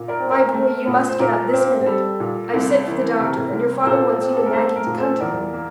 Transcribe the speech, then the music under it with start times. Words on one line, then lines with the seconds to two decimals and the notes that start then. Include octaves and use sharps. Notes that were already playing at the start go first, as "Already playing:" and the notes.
"My boy, you must get up this minute; I've sent for the doctor, and your father wants you and Maggie to come to him."
Already playing: A#2
0.08 A#4 D5
0.20 C4
0.31 A#4
0.53 A3
0.87 A#2
1.08 C5
1.19 A#2 A#4
1.53 C4
1.86 G3 A4
2.20 A#2
2.54 C2
2.87 E3
3.20 C3 A#4
3.53 C2
3.82 A#4
3.86 A#2 A4 C5
4.21 C4
4.37 A4
4.46 A#4
4.53 A3 A4 C5
4.76 A#4
4.86 A#2
4.98 A4 C5
5.20 E2 A#4 D5
5.54 A#3